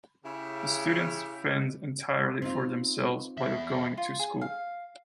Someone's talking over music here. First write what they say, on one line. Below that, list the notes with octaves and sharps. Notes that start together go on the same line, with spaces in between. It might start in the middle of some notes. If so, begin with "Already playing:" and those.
The students fend entirely for themselves while going to school.
C#3 E4 G4
C4 D#4 F4
E2 E5
F4
G#4
F5